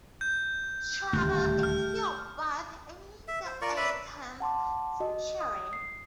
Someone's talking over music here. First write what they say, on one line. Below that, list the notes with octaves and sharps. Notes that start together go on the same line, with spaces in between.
Trouble is you're both in the eighteenth century.
G6
D#1 D2 A3 G4
F6
E5
C5
F4 A#4 D5 C#6
B4 D5 E5 B5
F#5 A5 C6 D6
F#4 D#5
D#6
C7